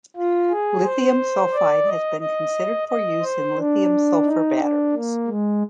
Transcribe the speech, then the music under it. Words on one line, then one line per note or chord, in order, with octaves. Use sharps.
Lithium sulfide has been considered for use in lithium-sulfur batteries.
F4
G#4
C5
D5
D#5
D#5
D#5
C5
D4
D#4
D4
A#3
G#3